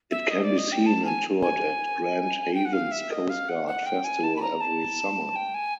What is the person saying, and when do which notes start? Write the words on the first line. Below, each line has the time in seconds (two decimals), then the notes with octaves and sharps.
It can be seen and toured at Grand Haven's Coast Guard Festival every summer.
0.11 E5
0.30 D#5
0.43 D5
0.58 D#5
0.72 G5
0.86 A5
1.05 G#5
1.42 G#5
2.54 G5
2.65 F#5
2.73 F5
2.91 E5
3.11 D#5
3.29 F5
3.49 F#5
3.67 F#5
3.85 G5
4.04 G#5
4.23 A5
4.36 B5
4.41 A#5
4.60 A5
5.35 G5
5.54 G#5